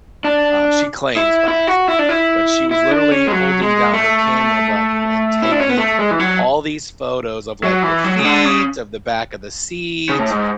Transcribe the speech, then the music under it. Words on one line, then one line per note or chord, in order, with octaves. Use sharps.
Um, she claims "by accident," but she was literally holding down her camera button, and taking all these photos of, like, her feet, of the back of the seat,
D4
E4
E4
F#4
E4
D4
E4
E4
D4
C#4
G#3
F#3
G#3
A3
E4
D4
C#4
B3
A3
G#3
E3
F#3
F#3
E3
F#3
C#3
D3
C#3
C#3
A2
G#2